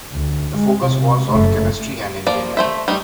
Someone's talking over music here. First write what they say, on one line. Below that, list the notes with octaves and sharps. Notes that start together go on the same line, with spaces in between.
The focus was on chemistry and engineering.
D2
G#3
C3
F#1 A3
F3 A#3 D5
A3 C5 E5
G3 A3 D#4